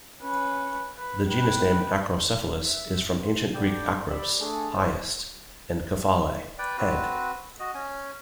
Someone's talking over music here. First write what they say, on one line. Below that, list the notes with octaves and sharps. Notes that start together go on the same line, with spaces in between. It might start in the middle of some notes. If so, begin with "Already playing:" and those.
The genus name "Acrocephalus" is from Ancient Greek "akros", "highest", and "kephale", "head".
C#4 B4
B4
B4 G5
E5
C6
D3 G3 D5 G5 G6
G4 D5 B5 E6
A3 D4 G#4 A4
E2 C5 C#6
B4 D5 G5
C4 F#4 B4
F#4 D#5
C#4 G#5